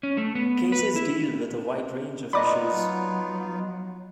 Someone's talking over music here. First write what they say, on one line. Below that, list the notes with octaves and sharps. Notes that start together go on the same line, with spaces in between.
Cases deal with a wide range of issues.
C#4
A3
B3
B4
E4
B3 D#4 F4 D5 D#5 B5 D6
F#3